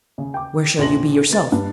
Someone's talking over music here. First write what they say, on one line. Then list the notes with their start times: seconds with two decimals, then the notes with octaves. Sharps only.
"Where shall you be yourself?"
0.18 C#3
0.34 G5 D6
0.78 A#1 D4 C6 A#6 F#7
1.30 B3 A6
1.52 G2